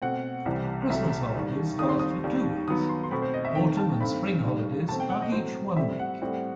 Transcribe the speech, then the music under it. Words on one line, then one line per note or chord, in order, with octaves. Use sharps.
Christmas holidays last for two weeks, autumn and spring holidays are each one week.
B2 A3 C4 F#5
C2 C3 E3 G3
C2 C3 F#3 A3 E5
D#2 D#3 G3
D#2 D#3 G3 C4 D#6
C6
D#6
D#2 D#3 G3
D#2 D#3 F#3 B3 D#6
C6
C6
B2 A3 C4 B5
C5
D#5
E5
D#2 D#3 A3 C4 G5
A5
G2 D#3 A3 C4 B5
D#2 D#3 G3
B2 A3 C4 A5
G5
F#5
D#5
A2 F#3 C4 C5
A2 G3 C4 E5
F#5
A2 G3 C4